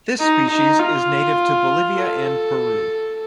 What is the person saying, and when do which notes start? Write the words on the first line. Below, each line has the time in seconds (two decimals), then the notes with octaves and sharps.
This species is native to Bolivia and Peru.
0.20 D#4
0.50 D#4
0.80 F4
1.99 A4